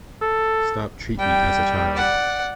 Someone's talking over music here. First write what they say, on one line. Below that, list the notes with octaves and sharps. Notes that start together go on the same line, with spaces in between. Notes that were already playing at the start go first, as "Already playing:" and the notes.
Stop treat me as a child.
A4
G3 G5
D5 F#5